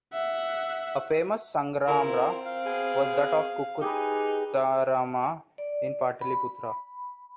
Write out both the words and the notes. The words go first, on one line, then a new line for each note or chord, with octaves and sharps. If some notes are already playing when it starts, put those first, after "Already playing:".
A famous sangharama was that of Kukkutarama in Pataliputra.
E5 F#5
D3 E4 F4 A#4
C4
F5
B2 G#4
D#4 G4 G#4 B4
D5
B5